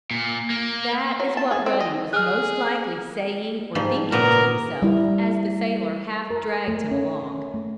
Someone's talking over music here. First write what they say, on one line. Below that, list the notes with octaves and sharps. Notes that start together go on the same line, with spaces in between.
That is what Ruddy was most likely saying or thinking to himself as the sailor half dragged him along.
A#2
A#3
F#3
A5
G#4
C4
D#5
G#4 F6 F#6
G#2 F3 G3
A#2 C#3 B3 A#4
G3 E4
A#4
A3
C#4
A3